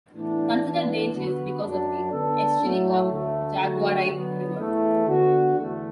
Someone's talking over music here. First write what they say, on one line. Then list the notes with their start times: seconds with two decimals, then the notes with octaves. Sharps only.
Considered dangerous because of the estuary of Jaguaribe River.
0.15 A2 E3 B3 D4
0.64 E3 B3 D4
1.13 D3 B3 F#4 B4
1.62 F#2 F#3 D4
2.11 D3 B3 D4 A4
2.61 A2 F#3 A3
3.11 D2 D3 A3
3.59 D3 F#3 A3 F#4
4.08 D3 F#3 B3
4.57 E2 E3 A3
5.07 D3 B3 F#4
5.56 E2 D3 A3